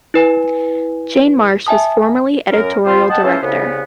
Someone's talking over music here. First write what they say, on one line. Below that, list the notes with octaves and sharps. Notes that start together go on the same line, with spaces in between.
Jane Marsh was formerly editorial director.
E4 B4 G#5
E5 G#5 A5 D#6
F#2 A#4
C4 F4 C5
D#5 F#5 G5 A5
C#3 E3 F3 C#4 A4 C5
C2 C#3 B3